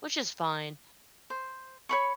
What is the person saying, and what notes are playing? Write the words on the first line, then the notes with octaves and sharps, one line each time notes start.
Which is fine.
C5
C#5 B5 C#6